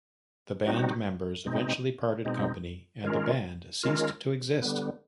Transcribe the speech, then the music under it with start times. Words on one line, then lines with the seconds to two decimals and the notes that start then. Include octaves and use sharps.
The band members eventually parted company and the band ceased to exist.
0.66 G3 C4 D#4 F#4
1.45 B2 G#3 C4 D#4
2.25 B2 G#3 C4 D#4
3.04 D#3 G#3 C#4 F4 A#4
3.83 D#3 G#3 C#4 F4 A#4
4.62 D3 G3 B3